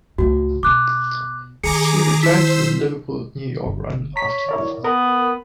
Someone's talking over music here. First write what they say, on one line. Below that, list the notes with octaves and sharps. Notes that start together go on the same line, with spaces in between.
She returned to the Liverpool - New York run after the war.
C#2 A2 F#4
B2 D6 F#6
D#3 G#4 A#5 D6 C#7
E4 C5 E6 B6
G1
C#5 A#5 B6
E4 A#4 D5
B3 A#4